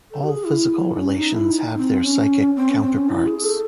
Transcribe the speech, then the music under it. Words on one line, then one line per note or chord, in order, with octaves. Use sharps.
All physical relations have their psychic counterparts.
A4
F#4
G#4
E4
D#4
C#4
D#4
E4
D#4
C4
C#4
C4
C#4
C4
C#4
E4
G#4
A4